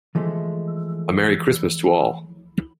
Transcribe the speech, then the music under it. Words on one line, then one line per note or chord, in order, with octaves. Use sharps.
A Merry Christmas to all!
E3 F3 G#3 A3